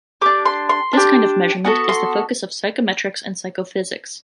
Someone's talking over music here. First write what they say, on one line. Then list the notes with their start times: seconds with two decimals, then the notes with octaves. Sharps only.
This kind of measurement is the focus of psychometrics and psychophysics.
0.21 D4 G4 D6
0.46 C6
0.69 C6
0.93 D4 G4
1.65 B3 F#4 A4
1.89 C6